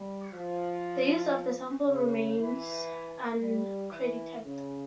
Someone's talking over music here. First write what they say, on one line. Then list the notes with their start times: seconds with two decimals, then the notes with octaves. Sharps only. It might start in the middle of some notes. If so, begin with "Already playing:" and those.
The use of the sample remains uncredited.
Already playing: G3
0.33 F3
1.87 C#3
2.38 E3
3.40 G3
3.92 E3
4.44 C#3